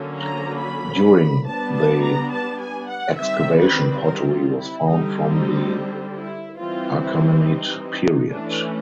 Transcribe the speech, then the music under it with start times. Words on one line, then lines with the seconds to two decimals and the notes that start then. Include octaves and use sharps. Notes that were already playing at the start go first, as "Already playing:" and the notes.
During the excavation pottery was found from the Achaemenid period.
Already playing: D3 F#3 A#3 C#4
0.17 A#5
0.60 B5
1.46 G3 B3 D4 A5
1.74 A5
2.03 A#5
2.31 A5
2.60 G#5
2.88 F#5
3.17 D#3 G3 C4 E5
3.59 B4
4.02 A#4
4.30 F4
4.59 E4
4.88 D3 G3 C4 D#4
5.30 D#4
6.16 E4
6.58 E3 G3 C4 F4
7.02 E4
7.44 D#4
8.29 E3 A3 C#4 D4